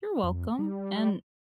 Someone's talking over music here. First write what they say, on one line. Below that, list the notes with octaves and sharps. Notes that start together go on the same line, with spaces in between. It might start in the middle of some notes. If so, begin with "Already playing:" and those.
you're welcome, and
F2
G3